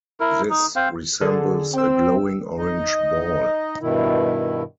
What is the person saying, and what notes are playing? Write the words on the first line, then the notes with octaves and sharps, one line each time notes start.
This resembles a glowing orange ball.
E4 A#4
D#4
C4 C5 F5
D3 G#4 A4
C4 G5 E6
D#4 D#5
G2 B2 D#3 E4